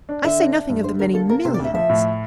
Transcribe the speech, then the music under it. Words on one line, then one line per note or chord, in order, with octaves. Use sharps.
I say nothing of the many millions...
D4
D3 E5
D4
D4
G2
D3 C5
D3 A#4
A#3 A4
A#3 A#4
C3 C5
D5
D2 E5
F3 E5
A2